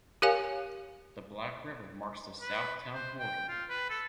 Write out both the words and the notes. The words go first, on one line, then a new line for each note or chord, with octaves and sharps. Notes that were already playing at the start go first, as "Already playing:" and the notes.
The Black River marks the south town border.
G4 A#4 C#5 F5 G#5
B4
C5
G5
F4
B4
A4